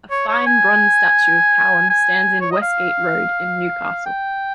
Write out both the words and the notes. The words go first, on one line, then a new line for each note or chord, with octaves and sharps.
A fine bronze statue of Cowen stands in Westgate Road in Newcastle.
C#5
C#5
G#5
G#5
C#5
D#5
F5
G5